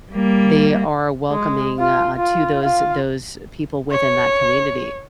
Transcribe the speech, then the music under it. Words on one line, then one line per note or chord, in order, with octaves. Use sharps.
they are welcoming, uh, to those those people within that community.
G3 A#3
G#3
F4
F4
F4 F5
C#5